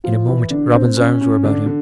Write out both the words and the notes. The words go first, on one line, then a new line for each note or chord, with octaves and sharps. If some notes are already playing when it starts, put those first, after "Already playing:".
In a moment Robin's arms were about him.
F3 F4
E3 E4
D3 D4
C4
C#4
C#4
D3 D4
D3